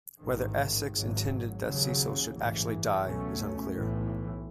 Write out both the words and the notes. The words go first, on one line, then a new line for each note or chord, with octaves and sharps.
Whether Essex intended that Cecil should actually die is unclear.
A1 G#2 D#3
G#1 G#2 F#3
D#2 C#3 F#3
A1 G#2 E3
C#2 B2 F#3 A3 C#4
B1 A2 E3